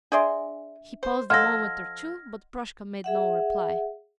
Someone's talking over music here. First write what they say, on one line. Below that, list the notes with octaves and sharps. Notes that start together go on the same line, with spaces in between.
He paused a moment or two, but Proshka made no reply.
D4 G#4 D5 E5 C6
C5
F3 A4 D#5 F#5 C6 F6 G#6 A#6
G#4 E5 F#5